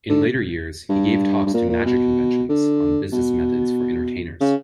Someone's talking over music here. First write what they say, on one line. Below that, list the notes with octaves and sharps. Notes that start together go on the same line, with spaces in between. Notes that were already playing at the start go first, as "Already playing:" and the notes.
In later years he gave talks to magic conventions on business methods for entertainers.
D3
G2
G2
A#2
A#2
B2
D3
B2
C#3